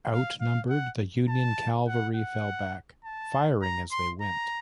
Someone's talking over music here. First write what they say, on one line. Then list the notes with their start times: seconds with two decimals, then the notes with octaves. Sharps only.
Outnumbered, the Union cavalry fell back, firing as they went.
0.12 F5
0.41 F5
0.70 F#5
1.29 A5
1.88 F#5
2.16 F#5
3.04 A5
3.62 A#5
3.92 C6
4.21 A#5